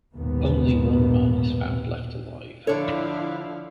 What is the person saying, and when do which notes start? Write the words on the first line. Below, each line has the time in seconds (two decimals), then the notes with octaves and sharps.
Only one man is found left alive.
0.15 A#1 D#2 G#2 B2 B3
2.67 D3 F3 D4 E4 A4 C#5 F5